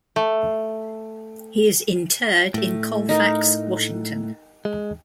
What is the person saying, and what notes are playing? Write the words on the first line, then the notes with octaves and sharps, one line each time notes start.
He is interred in Colfax, Washington.
A3
A2 A3
D#4 A#4
G#3